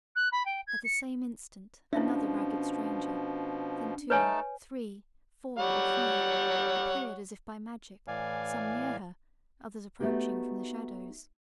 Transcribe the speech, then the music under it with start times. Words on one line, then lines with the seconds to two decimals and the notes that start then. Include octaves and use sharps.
At the same instant another ragged stranger, then two, three, four, or five, appeared as if by magic, some near her, others approaching from the shadows.
0.15 F#6
0.32 B5
0.45 G5
0.67 G#6
0.84 C#7
1.93 B2 F3 C#4 D4 E4 E5
4.10 A3 D#4 B4 C#5 G#5 A5
5.58 G3 C#5 F#5
8.08 A2 E3 D5 F5 G#5
10.00 A3 B3 D#4 F#4 G4